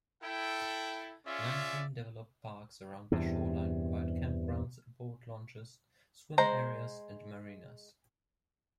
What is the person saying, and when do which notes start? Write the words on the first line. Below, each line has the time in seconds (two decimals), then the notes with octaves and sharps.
Nineteen developed parks around the shoreline provide campgrounds, boat launches, swim areas, and marinas.
0.23 E4 A4 G5
1.26 C#4 F4 G#4 C#5 D5 E5
3.12 E2 G2 C3
6.38 G#3 C5 A#5